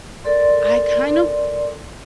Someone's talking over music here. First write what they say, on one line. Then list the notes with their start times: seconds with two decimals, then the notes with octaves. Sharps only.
I kind of
0.24 A4 A#4 D5 C6